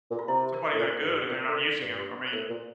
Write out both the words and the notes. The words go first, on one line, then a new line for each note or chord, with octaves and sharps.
somebody that good, and they're not using him, I mean
A#2
F4
C3 E4
A#4
A#4
A2
A#2 C5
A2
G2
A#2 A#4
D3
D3
G2
C5
A2 A#4
A#2